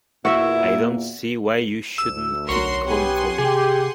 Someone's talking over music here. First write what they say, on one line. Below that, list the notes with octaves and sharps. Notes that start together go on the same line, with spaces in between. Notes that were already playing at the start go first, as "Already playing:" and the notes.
I don’t see why you shouldn’t keep calling for me.
E2 A#2 A#3 E4 F#4 E5
D2 E6
B1 F#4 A#4 C#5 C6
B3 G4 F#5 G#5 C6
C3 G4 G#4